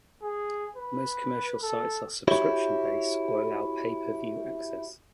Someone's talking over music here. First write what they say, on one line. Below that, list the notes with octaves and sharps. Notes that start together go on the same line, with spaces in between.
Most commercial sites are subscription-based, or allow pay-per-view access.
G#4
B4
A4
E4 F#4 G4 C#5